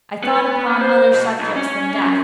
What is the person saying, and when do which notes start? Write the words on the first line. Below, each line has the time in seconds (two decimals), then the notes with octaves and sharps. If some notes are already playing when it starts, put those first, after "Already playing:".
I thought upon other subjects than Death.
0.24 B3
0.81 C5
1.13 B2
1.39 B1
1.56 C#4
2.00 F#2